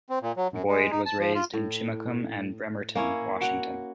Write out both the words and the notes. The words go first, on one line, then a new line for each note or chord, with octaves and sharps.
Boyd was raised in Chimacum and Bremerton, Washington.
C4
A#2
F#3
F#2
G#3
D#4
A5
F3
F4
A2
A#3 C#4 E4 C#5
F#4 F#5